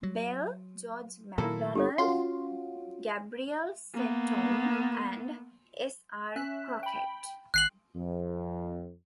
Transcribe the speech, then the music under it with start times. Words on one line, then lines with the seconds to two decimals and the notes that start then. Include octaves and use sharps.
Bell, George MacDonald, Gabriel Setoun, and S. R. Crockett.
0.03 F#3
1.38 A#2 D#3 F#3 A#3 E4 A4 A#5
1.75 G1 G4 A4 C#5
1.98 C#4 F4 F#4 C6
3.94 A#3 B3
6.36 C#4 E5 F#6
6.83 G5 B5
7.54 G#1 F#6 C7 F#7
7.96 F2